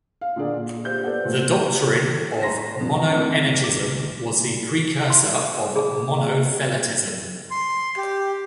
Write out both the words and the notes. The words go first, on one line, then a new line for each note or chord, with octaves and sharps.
This doctrine of "Monoenergism" was the precursor of Monotheletism.
F5
A#2 D3 A#3 G#4 D5
A#2
G4 C5 G6
B3 A4 D5 F#5
A#2 A3 C4
A#5 C6 A#6 B6
G2 F3 B3
D3 D#3 A3 C4
B1 D6
C6
G#4
C6
G4